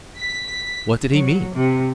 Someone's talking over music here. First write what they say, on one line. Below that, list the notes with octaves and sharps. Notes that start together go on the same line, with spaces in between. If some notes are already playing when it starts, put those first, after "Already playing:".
What did he mean?
B6
F#3
C3